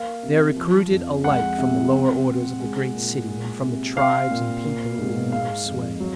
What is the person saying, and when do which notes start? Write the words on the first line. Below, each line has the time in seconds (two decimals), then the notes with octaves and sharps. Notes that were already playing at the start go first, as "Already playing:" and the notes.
They are recruited alike from the lower orders of the great city and from the tribes and people who own her sway.
Already playing: A#3 F5
0.23 C3
0.56 F3
0.91 F2
1.24 G#3 F#5
1.58 C3
1.92 C4
2.26 C3
2.60 G#3
2.94 A#2
3.28 G#3
3.62 C3
3.96 C4 F5
4.31 A#2
4.65 A#3
4.98 G#2
5.32 G#3 F5
5.66 F2
6.00 F#3